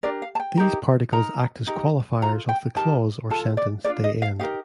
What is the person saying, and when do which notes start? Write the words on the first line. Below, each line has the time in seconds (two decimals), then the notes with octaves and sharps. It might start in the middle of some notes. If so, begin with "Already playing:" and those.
These particles act as qualifiers of the clause or sentence they end.
0.03 D4 G4 A#4 D5
0.22 F5
0.35 A5
0.40 G5
0.57 D#4 G4 A#4
1.12 D#4 A#4 A#5
1.67 D#4 G4 A#4
2.22 F4 A4 A#5
2.49 G5
2.76 D#4 G4 A#4 A5
3.30 F4 A4 A5
3.57 D5
3.84 D4 F4 A#4 D5
4.04 D#5
4.22 F5
4.40 D#4 G4 A#4 F5